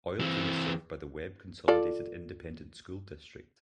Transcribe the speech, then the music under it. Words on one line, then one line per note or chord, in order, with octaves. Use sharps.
Oilton is served by the Webb Consolidated Independent School District.
E3 C4
F4 A4 D5